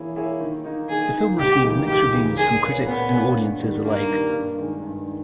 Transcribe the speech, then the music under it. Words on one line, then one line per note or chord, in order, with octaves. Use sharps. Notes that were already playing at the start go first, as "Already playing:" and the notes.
The film received mixed reviews from critics and audiences alike.
Already playing: E3 A#3 E4 G#4 C#5
A#3 E4 G#4 C#5
D#3
A#3 D#4
D#3 G#4
A#3 D#4
C#2 G4
C#3 E3 A#3 D#4
C#2 G4
C#3 E3 A#3 D#4
A#2 G#4
A#3 C#4 G#4 B4
A#2 B3
A#3 C#4 G#4 B4
G2
D#3 G3
G2 A#3
D#3 G3
G2
D#3 G#3
G2
D#3